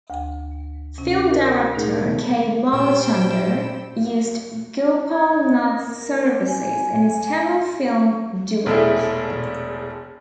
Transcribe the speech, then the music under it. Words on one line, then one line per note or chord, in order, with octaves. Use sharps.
Film director K. Balachander used Gopalnath's services in his Tamil film "Duet".
D2 G5
C3 C#4
A#4 C5
A#2 A3 D#4 G#4 A#4
C3 D#3 G3 B3
A#2 G3 C5 G5 E6
G#6
D#5
A#4
D5
G#5
G#5
E1 A#1 A3 E4 G#4